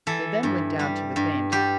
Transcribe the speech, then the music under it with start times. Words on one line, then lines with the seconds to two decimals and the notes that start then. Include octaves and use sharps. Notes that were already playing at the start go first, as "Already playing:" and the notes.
They then went down to the Thames.
0.07 E3 A4
0.43 G2
0.79 G3
1.16 G2
1.52 G3 G4